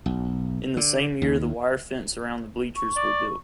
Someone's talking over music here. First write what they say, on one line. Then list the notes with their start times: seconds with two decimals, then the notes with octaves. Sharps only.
In the same year the wire fence around the bleachers were built.
0.06 B1
0.77 D3
1.22 D#2
2.76 C#6
2.97 D5